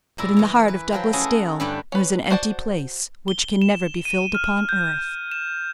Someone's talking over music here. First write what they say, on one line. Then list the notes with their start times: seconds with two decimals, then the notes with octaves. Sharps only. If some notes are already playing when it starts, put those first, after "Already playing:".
But in the heart of Douglas Dale there is an empty place which can never be filled upon earth.
0.18 A#2 E4 A#4
0.37 E3 A#5
0.68 B4
0.92 F3 F#3 G5
1.13 A3 C#4 E4 F#4 G#4
1.60 G2 D3 D4 B4 D5 G5
1.92 C#4 B4
2.30 F#4 C5 D5 G5 A5
3.28 G7
3.62 E7
4.05 D#7
4.35 F6
4.69 G6
5.32 E7